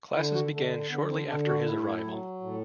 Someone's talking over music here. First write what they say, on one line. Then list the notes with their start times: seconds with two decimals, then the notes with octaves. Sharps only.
Classes began shortly after his arrival.
0.16 D3 E4
0.34 F#4
0.52 D3 A3
0.90 D3 B3
1.09 C4
1.28 D3 D4
1.47 F#4
1.66 A2 E4
2.04 F#3
2.41 A2